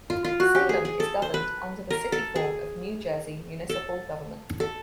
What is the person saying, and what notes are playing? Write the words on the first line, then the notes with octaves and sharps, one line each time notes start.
Salem is governed under the City form of New Jersey municipal government.
F4
F4
F#4
G4
G#4
G#4
A4
C5
B4
A#4
A4
G#4
A4
A4